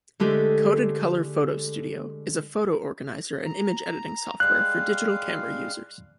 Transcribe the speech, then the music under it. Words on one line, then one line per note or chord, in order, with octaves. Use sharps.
CodedColor PhotoStudio is a photo organizer and image editing software for digital camera users.
D3 G#3 A3 G4 A4
A#5
G3 G#3 F5 F#6